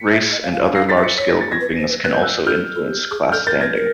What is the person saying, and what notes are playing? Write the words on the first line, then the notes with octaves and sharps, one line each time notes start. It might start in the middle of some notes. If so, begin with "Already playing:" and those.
Race and other large-scale groupings can also influence class standing.
Already playing: B6 C#7
E5
D#5
F5
F5
F5
F5 A#6 C7
A6 B6
E5
B6 C#7
C#5 B6
A#6
A6
G#6 A#6
B4
C5
B4
B4 F#6
G6
E6 F#6
A4 F6 G6
A4
G#4
G4
G#4
A4 F6 G6
A#4 G6 A6
B4 G#6 A#6
A#4